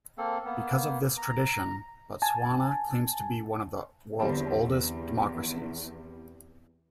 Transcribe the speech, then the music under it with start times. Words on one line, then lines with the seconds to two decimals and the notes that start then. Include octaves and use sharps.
Because of this tradition, Botswana claims to be one of the world's oldest democracies.
0.18 A#3 C4 A4
0.46 A#3 B3
1.17 A#5
2.22 G#5 A5
4.19 E2 D3 G3 C4
4.65 E2